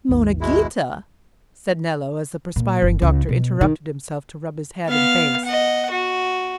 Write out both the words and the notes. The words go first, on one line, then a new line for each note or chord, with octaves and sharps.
"Monna Ghita!" said Nello, as the perspiring doctor interrupted himself to rub his head and face.
G#1 D#2
B2 G#3 E4
A#2
G1
C#2
B2
D#3
B3 F5
D#5 F#5
F#4